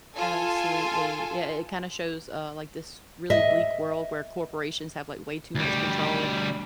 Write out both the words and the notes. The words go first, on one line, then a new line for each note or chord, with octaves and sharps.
Absolutely. Yeah, it kind of shows, uh, like this really bleak world where corporations have like way too much control,
F4 A4 G#5
D#5 E5
D2 G3